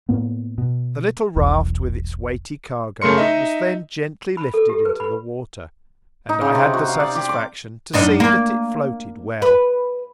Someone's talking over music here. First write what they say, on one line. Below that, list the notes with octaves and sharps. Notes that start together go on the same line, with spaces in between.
The little raft with its weighty cargo was then gently lifted into the water, and I had the satisfaction to see that it floated well.
A2 A#3 B3
B2
E1 B1 E2
C#3 A3 A#4 C6 C#7
D#4 D#5 E5
B5
A4
G4
B4
B5
D#4
C#3
C3
F#4
F5
D5
G4
D6
F#2 D4 D#4
A#3
B4